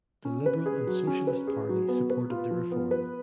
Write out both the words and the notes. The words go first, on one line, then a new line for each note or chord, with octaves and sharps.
The Liberal and Socialist party supported the reform.
C#4
B4
G#4
F#3
C#4
B4
G#4
F#3
B3
B4
F4
F3
B3
B4